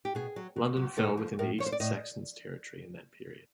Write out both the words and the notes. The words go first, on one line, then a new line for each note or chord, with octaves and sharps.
London fell within the East Saxons' territory in that period.
G4
B2 G#4
F#3
B2
F#3
A2 A4
F3
A2 A#4
F3 C#5
C5
D5
A2 D#5